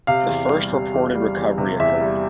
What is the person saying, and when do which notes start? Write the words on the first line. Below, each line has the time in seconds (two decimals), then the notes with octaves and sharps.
The first reported recovery occurred.
0.07 C3 F5
0.29 E2
0.50 G3
0.72 C3
0.94 E2
1.15 G3
1.37 E2
1.58 C3
1.80 E2 E5
2.01 G3